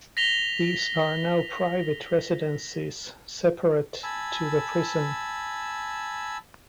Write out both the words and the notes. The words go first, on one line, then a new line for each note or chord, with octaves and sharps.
These are now private residences, separate to the prison.
A#6 B6 F7 G7
G#5 A5 B5 E6